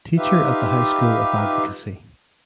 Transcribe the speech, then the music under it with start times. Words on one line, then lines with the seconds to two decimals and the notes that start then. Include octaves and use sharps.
Teacher at the High School of Advocacy.
0.18 D#4 F4 G4 B4 E5 F5